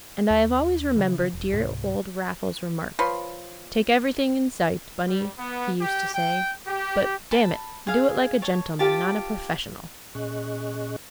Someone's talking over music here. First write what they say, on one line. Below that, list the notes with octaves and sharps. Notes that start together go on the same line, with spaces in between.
And I have always remembered dear old Raffles's remark, "Take everything in sight, Bunny," he used to say; "but, damn it, do it like a gentleman, not a professional."
D#2
C#3 E3
E1
C#2 G#2 C3
F3 B4 C#5 C6
G3
B3
G4
G5
G4
A5 B5
G#4 F5
C#5 A5
F4 G4 A5
A#2 C#4 G#4 D#5 C#6 F#6